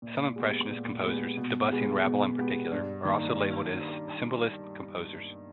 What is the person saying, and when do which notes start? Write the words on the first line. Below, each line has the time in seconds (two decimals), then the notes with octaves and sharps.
Some impressionist composers, Debussy and Ravel in particular, are also labeled as symbolist composers.
0.02 A#2
0.36 G#3 B3 G4
0.69 A#2
1.03 G#3 B3 G4
1.37 B2
1.71 G#3 B3 G4
2.04 B2
2.38 G#3 B3 G4
2.72 G2
3.05 D#3 A#3